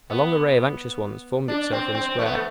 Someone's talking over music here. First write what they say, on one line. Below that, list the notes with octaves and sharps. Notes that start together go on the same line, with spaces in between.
A long array of anxious ones formed itself in the square.
B3
D4
C4
C4
A3
B3
A3